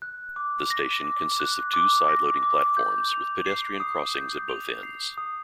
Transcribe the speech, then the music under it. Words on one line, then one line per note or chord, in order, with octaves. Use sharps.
The station consists of two side-loading platforms with pedestrian crossings at both ends.
F#6
D6
A#6
D6
F#6
D6
A#6
D6
G6
F7
C7
D#6
G6
F7
C7
D#6